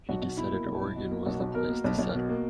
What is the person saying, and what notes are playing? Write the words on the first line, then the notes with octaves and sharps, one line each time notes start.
He decided Oregon was the place to settle.
B1 F#4
B1
B2 E4
A#3
B1
B1
B2
A#3
B1 F#4
B1
B2 A#4
A#3
B1
B1
B2
A#3